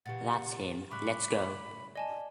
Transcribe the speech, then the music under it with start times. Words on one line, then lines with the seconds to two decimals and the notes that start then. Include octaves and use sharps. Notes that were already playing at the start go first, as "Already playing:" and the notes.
That’s him. Let’s go.
0.06 A#2 C#3 E3 G4 F#5 A6
0.91 A2 C#3 G3 B5 C#6 D6 F#6
1.95 D5 D#5 G#5 A5